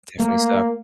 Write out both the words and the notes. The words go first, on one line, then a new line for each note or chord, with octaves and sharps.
Definitely suck.
A3 A#3